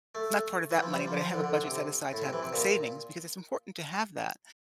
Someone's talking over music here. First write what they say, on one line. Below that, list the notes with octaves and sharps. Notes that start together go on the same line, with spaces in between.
not part of that money, but I have a budget set aside to have savings because it's important to have that,
A3
E3
F3
G3
F3
F3
D3
D3
D3
C3
A2
C3
E3
C3
A#2